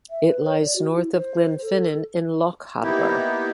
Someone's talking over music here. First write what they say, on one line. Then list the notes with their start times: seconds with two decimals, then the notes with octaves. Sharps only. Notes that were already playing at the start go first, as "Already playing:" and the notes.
It lies north of Glenfinnan in Lochaber.
0.10 E5
0.26 B4
0.44 C#5
0.61 D5
0.76 F#4
0.93 E4
1.13 C5
1.62 A4
2.82 A#3 B3 D#4 E4 G4